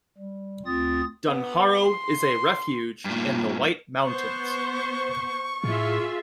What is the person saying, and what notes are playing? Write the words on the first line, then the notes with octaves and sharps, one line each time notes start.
Dunharrow is a refuge in the White Mountains.
G3
D2 C4 F4 D#6 A6
B3
C6
G2 A#2
B3 C5 C#6
A2 F4 G#4 E5